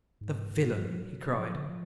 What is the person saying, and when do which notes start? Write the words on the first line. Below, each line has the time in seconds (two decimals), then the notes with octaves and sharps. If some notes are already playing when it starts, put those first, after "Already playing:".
"The villain!" he cried.
0.21 G#2
0.51 G#2
0.61 A2
0.71 F#3
0.80 F3
0.95 F#3
1.39 F3
1.54 D3
1.69 F3